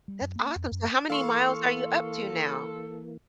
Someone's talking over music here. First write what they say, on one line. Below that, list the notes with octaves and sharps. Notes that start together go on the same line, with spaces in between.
That's awesome. So how many miles are you up to now?
G3
F#2
A#3
F2
F#2
E3 A#3 A4 F5 C6 C#6